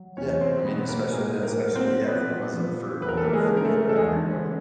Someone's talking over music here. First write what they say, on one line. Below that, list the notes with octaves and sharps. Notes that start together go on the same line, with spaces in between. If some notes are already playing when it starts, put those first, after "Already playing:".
Yeah, I mean, especially and especially yeah, if it wasn't for you know, free for everybody.
Already playing: F#3
E2 C#4 C#5
C4 C5
B2 B3 B4
A#3 A#4
A2 G#3 G#4
A#3 A#4
F#3
C4 C5
A#2 B3 B4
F3
E2 B4
A#4
A4
A#3 A#4
G#3 G#4
C#3
A#4
A3 A4
A4
E2 G#3 G#4
C#3